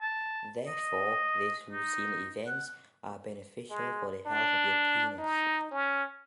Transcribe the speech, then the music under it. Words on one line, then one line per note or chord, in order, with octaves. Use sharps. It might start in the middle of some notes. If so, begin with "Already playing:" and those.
Therefore, these routine events are beneficial for the health of the penis.
A5
D#5
D#4
F#5
G#3
D4
D#4
C#4